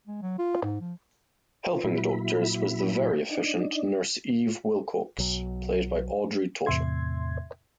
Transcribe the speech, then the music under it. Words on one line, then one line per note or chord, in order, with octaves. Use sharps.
Helping the doctors was the very efficient Nurse Eve Wilcox, played by Audrey Totter.
G#3
F#3
F4
G#2
F3
A#2 F#3 E4 B5
D4 D#4
B1 F#3
E2 A2 C3 E5 C6 G#6